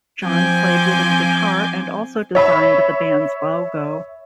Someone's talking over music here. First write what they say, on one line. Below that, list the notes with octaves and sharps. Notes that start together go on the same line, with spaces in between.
Jon played rhythm guitar and also designed the band's logo.
F3 C4 G#5 D6 G6
C#5 E5 B5